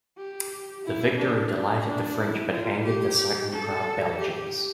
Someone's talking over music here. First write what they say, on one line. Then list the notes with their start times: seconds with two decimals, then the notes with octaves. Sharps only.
The victory delighted the French but angered the cycling-proud Belgians.
0.17 G4
0.84 E4
1.17 D4
1.84 D4
2.18 E4
2.51 F4
2.85 G4
3.52 A4
4.18 G4